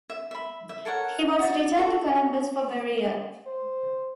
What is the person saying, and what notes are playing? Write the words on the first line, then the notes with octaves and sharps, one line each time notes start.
He was returned to Columbus for burial.
E5
E5 B5
E5
A4 A#4 C#5 F#5
F#4 D5
F#4 A4
C5